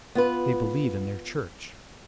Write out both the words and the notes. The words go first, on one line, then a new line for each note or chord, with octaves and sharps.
They believe in their church.
B3 F4 B4